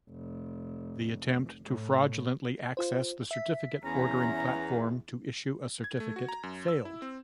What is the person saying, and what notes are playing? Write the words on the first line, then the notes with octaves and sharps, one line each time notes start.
The attempt to fraudulently access the certificate ordering platform to issue a certificate failed.
F1
A2
F4 C5
E5 B6
E2 C#4 A#5
G#6
A3
F#4
A#5
F#2
E6
E4
C4